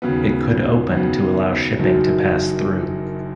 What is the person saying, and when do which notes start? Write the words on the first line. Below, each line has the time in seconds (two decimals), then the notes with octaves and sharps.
It could open to allow shipping to pass through.
0.02 D#2 C#3 F#3 B3
0.91 D#2 C#3 F#3 B3
1.79 F#1 F#2 D#3 F#3